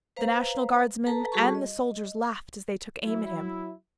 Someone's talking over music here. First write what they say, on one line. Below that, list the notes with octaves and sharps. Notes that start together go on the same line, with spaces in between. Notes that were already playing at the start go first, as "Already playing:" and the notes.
The National Guardsmen and the soldiers laughed as they took aim at him.
B4 C5 F5 A#5
A4 B4 A5 A#5
G3 F#4 G#4 A4 A5 C#6
D#5
F#3 E4